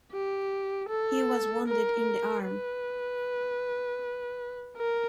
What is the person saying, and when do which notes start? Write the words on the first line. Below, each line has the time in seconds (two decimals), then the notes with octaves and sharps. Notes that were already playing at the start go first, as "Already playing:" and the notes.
He was wounded in the arm.
0.12 G4
0.89 A4
1.67 A#4
2.45 B4
4.77 A#4